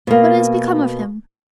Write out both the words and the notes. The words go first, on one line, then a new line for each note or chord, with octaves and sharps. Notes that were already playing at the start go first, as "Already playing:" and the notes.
"What has become of him?"
B2 A#3